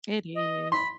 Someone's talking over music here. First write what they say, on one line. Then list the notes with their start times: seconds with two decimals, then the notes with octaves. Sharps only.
It is.
0.35 D#5
0.72 B5 C6